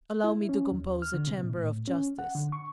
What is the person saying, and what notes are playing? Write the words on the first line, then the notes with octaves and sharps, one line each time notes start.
"Allow me to compose a chamber of justice."
E4
C#4
D#2
F6
D3
C3
A#2
A2
C#4
F#5
D3
C#6